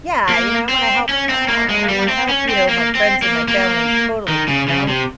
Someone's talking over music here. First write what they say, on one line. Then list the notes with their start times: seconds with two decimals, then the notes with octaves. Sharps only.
Yeah, you know, I wanna help, uh uh, I wanna help, you know, my friends and my family totally, you know?
0.29 A#3
0.69 C4
1.09 C#4
1.29 C4
1.48 A#3
1.69 G#3
1.88 G3
2.08 C4
2.29 C#4
2.49 C4
2.69 A#3
2.95 C4
3.22 A#3
3.48 A#3
4.28 D#3
4.48 C#3
4.68 C#3
4.88 C3